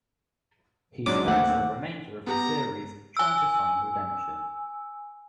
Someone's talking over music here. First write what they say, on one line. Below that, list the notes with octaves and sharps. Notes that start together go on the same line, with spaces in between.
He spends the remainder of the series trying to find redemption.
G#2 F#3 G#3 C#4 D4 D6
D#2 A3 C4 F#5
B3 G4 A#5
G#5 E6